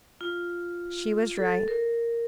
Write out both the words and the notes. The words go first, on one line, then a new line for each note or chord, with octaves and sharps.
She was right.
F4
A4
A#4